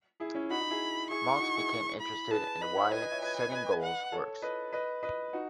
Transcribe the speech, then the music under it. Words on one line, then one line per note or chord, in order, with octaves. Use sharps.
Maltz became interested in why setting goals works.
E4 G#4
C#4 E4
D#4 F#4 B5
D#4 F#4
E4 G#4
E4 G#4 C#6
D#4 F#4
E4 G#4
B5
G#4 B4 A5
B4 D#5 B5
C#5 E5
B4 D#5 G#5
B4 D#5
C#5 E5
B4 D#5
B4 D#5
F#5
A4 C#5
B4 D#5
B4 D#5
B4 D#5
D#4 F#4